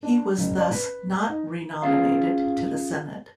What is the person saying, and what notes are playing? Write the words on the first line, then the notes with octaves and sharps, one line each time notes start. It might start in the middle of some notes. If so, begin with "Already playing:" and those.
He was thus not renominated to the Senate.
D4
F#1
D5
B4
D#4
C#4 F4 G#4 E5 F5